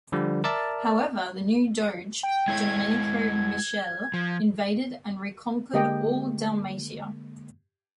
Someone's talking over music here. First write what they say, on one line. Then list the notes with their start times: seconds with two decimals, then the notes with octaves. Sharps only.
However, the new Doge, Domenico Michele, invaded and reconquered all Dalmatia.
0.12 D3 F3 G3
0.44 A#4 D5 E5 A5
2.23 G5
2.48 G#3 E4 C#5 G#6
4.14 F3
5.74 D3 G#3 A#3 G4 D#5 G5